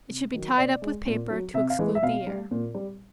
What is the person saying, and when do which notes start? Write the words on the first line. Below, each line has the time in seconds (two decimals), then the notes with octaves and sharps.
It should be tied up with paper to exclude the air.
0.10 C3
0.34 D#3 F#3
0.58 B2 D5
0.82 G#3
1.06 A#2
1.30 F#3
1.54 C3 E5
1.70 F5
1.79 E3 G#3
1.95 E5
2.03 B2 F5
2.27 G3
2.51 A#2
2.74 G3